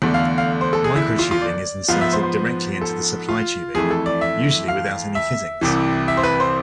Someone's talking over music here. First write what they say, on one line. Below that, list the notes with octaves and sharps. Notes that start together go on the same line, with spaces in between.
Microtubing is inserted directly into the supply tubing, usually without any fittings.
E2 D3 A3
F5
F5
C5
A4
G#4
E4
E4
F4
F4
D5
G#2 F3 B3 F5
E5
C5
C5
A4
F4
F2 E3 A3 G#4
A4
D5
E5
F5
E5
C2 C3 E3
E5
C5
B4
C5